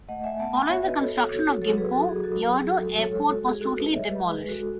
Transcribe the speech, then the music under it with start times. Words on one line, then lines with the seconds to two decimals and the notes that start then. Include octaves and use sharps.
Following the construction of Gimpo, Yeouido Airport was totally demolished.
0.09 A3 D#5 F#5
0.24 E5 G#5
0.40 B3 F#5 A5
0.55 G#5 B5
0.70 F#4 C#5 E5
0.85 B4 D#5
1.01 B3 A4 C#5
1.31 F#4
1.62 F#3 A4 C#5
1.78 G#4 B4
1.93 F#4 A4
2.09 G#4
2.23 F#3 F#4 A4
2.54 F#3 G#4
2.70 F#4 A4
2.85 G#3 F#4 A4
3.00 A4 C#5
3.15 G#3 A4 C#5
3.30 F#4 A4
3.46 F#4 G#4
3.61 F#4 A4
3.77 G#3 G#4 B4
3.86 D#5
3.92 C#5 E5
4.07 G#3 B4 D#5
4.29 G#4 B4
4.39 G#3
4.49 F#4 A4